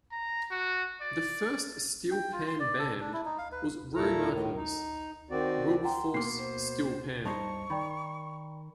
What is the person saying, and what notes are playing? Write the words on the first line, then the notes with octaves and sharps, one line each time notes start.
The first steelpan band was Roy Martin's Wilberforce Steel Pan.
A#5
F#4
D5
G5
F4
C6
D5
A4
D4
E4
D#4
F5
B4
A#2 E4 A4 A#5
A2 D#3
D#4
D#3 C4 F#4 D5
F#5 G5 A#5 C6
B2 A#3 B3 C7
C5
G2 D#4 C5 A5 C#6
D#3 D5 G5 B5